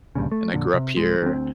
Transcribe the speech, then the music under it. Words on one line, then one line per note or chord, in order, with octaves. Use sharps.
and I grew up here."
D2 G2 A#2 C#3
A3
F2 A#2 D3
C3
D1 G#3
D2 C4